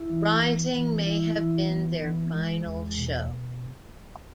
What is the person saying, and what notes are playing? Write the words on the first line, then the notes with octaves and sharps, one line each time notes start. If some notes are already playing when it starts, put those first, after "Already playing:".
Rising may have been their final show.
Already playing: E4
E3
B3
E3
E4
E3
B3
E3
G#3
E2
B2